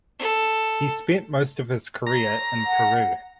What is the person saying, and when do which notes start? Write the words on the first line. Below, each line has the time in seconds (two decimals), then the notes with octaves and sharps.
He spent most of his career in Peru.
0.19 A4
2.07 A#5
2.66 F#5